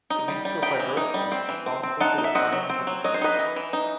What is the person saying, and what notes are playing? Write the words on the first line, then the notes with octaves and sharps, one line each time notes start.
It leads to a fibrosis which is responsible for the signs of the disease.
D#4
G3
G3
D#4 G5 B5
E3
D#4
G3
C4
E3
C4
C4
D#4 F#5 A5
D#4
E5
C4 D#5 F#5
F#3
C4
F#3
F#3 D#5
C5
D#4 B4 D#5
E3
E3
D#4